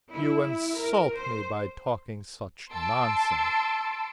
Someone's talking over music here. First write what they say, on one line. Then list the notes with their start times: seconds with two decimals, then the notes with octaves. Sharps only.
'You insult me by talking such nonsense!'
0.12 E4
0.77 A#4
1.14 C5
2.69 A5 C6 E6 D7